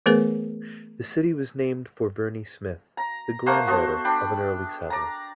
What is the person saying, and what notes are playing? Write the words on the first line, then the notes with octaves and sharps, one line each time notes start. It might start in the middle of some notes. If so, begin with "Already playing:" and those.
The city was named for Vernie Smith, the granddaughter of an early settler.
E3 A3 B3 G#4 A#4 B4
A#5
A3 A#3 C5 F#5
B3 F#4 A4 C5
D4 G5 B5
D5 A#5